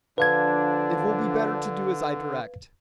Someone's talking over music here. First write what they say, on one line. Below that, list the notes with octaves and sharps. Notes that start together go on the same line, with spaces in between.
It will be better to do as I direct.
D3 F3 D4 B4 F5 G#6